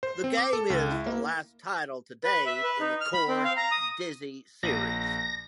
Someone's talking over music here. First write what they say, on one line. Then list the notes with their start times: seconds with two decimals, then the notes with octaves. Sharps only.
The game is the last title to date in the core "Dizzy" series.
0.03 C5
0.24 C4
0.37 D6
0.53 A4
0.70 C#2
0.92 E4
1.06 A#3
2.24 B4
2.46 E5
2.63 B4
2.80 D#4
3.01 F6
3.14 B5
3.29 C4
3.45 F5
3.57 A#5
3.71 D#6
4.63 A#1 A#6 D#7